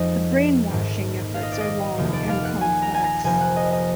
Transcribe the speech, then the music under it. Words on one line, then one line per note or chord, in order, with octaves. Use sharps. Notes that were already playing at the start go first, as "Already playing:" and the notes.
The brainwashing efforts are long and complex.
Already playing: F2 F3 G#3 D#4 D#5
A#1 G#2 D#3 A#3
F5
D#5
D5
D#5
F1 D#2 D#3 A#3
D5
F5
F#5
G#5
A#5
G#5
A#5
F1 F2 F3 A#3 G#5
F#5
D#5
D#5